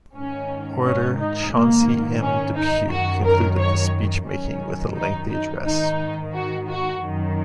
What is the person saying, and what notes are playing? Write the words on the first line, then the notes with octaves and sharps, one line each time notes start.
Orator Chauncey M. Depew concluded the speechmaking with a lengthy address.
G#2 D#3 C#4
C#4
D#4
G#2 D#3 A#3
C#4
D#4
F#2 D#3 F#4
A#4
C#5
F#2 D#3 C#4
D#4
D#4
G#2 D#3 D#4
F#4
F#4
F#2 D#3